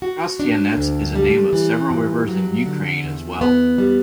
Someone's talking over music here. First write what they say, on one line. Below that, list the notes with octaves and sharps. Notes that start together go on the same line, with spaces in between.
Trostianets is a name of several rivers in Ukraine as well.
F#4
D4
D2
G3
E3
G2
F#3
D3
E2
B3
G3